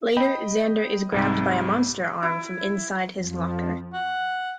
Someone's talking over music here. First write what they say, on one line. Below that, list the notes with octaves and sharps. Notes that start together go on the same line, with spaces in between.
Later, Xander is grabbed by a monster arm from inside his locker.
D#5 G5 B5
C2 G#2 C3
E4
F2 F3
F#5